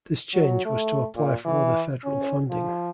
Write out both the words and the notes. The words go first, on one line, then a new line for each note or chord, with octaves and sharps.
This change was to apply for other federal funding.
F#3
A3
A#2
E3
C#4
F3